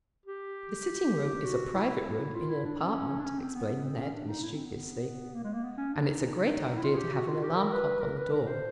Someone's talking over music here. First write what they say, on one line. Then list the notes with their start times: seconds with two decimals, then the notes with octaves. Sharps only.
"The sitting room is a private room in an apartment," explained Ned, mischievously, "and it's a great idea to have an alarm clock on the door."
0.26 G4
1.45 F#4
1.75 E4
2.35 F4
2.49 E4
2.65 D4
2.80 C#4
3.19 D4
3.24 C#4
3.39 C4
3.55 B3
3.84 C4
3.99 C#4
4.14 D4
4.28 D#4
4.43 E4
4.54 C4
4.64 B3
5.34 A#3
5.44 G#3
5.53 A#3
5.63 B3
5.78 C#4
5.93 D4
6.07 D#4
6.77 E4
6.83 F4
6.94 G#4
6.97 G4
7.13 F#4
7.27 F4
7.43 G4
7.57 A#4
7.73 B4
8.01 A#4
8.17 B4
8.32 A#4
8.47 C5